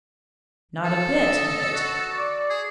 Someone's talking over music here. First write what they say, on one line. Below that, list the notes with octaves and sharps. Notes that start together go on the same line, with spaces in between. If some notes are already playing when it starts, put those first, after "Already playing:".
'Not a bit of it.
A4
D#5
F#4
D5
G#4